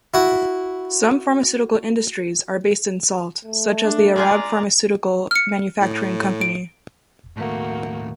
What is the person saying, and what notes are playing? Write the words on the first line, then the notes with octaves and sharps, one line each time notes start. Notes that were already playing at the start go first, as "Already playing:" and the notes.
Some pharmaceutical industries are based in Salt, such as the Arab Pharmaceutical Manufacturing company.
E4 F#4
A3
D4
G#3 F4 G#4 D5 A#5
F6 C#7
A2
D7
D#2 A2 A3 A#3 F#4